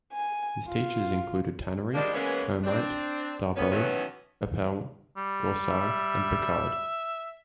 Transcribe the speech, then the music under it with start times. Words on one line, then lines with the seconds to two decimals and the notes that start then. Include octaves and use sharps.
His teachers included Tannery, Hermite, Darboux, Appell, Goursat and Picard.
0.12 G#5
0.69 F4
1.93 F3 G3 G#3 A#3 D4
2.14 E3 G#3 A#3 B3 C#4
2.64 C4 D4
3.56 F2 B3 C#4
3.70 B2 D#3 E3 F#3 B3 C#4
5.17 G3
5.69 E5